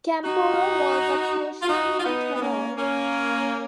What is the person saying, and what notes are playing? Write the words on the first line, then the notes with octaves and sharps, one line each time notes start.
Campora was a Puccinian tenor.
D#4 F#4
F4
D#4 F#4
F4
B3 D#4
B3
A#3 C#4
A#3 C#4